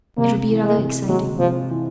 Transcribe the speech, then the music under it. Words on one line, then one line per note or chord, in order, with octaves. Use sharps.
"It would be rather exciting."
C3 A#3
E3
G#3
C3
F#3 G#3
C3 F3
E3